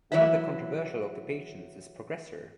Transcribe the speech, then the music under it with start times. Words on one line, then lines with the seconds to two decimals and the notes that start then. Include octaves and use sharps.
One of the controversial occupations is progressor.
0.12 E3 F#3 E4 B4 E5